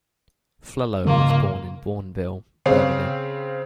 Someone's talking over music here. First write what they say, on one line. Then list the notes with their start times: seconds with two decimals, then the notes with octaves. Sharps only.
Flello was born in Bournville, Birmingham.
1.05 G#2 C#3 A#3 F4
2.66 C#3 C4 F5